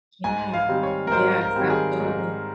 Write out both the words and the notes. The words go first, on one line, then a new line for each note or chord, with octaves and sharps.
qYeah. Yes, absolutely.
G#2 G#5
F5
D#3 G3 C4
C#5
A#4
G#2 C5
A#4
D#3 G3 C4
G#4
G#2